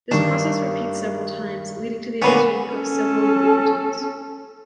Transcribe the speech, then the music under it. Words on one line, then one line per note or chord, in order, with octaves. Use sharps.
This process repeats several times, leading to the addition of several ubiquitins.
G2 D#3 D4 G4 A#4 C#6
A#2 D3 B3 C#4 B4
C#4 A4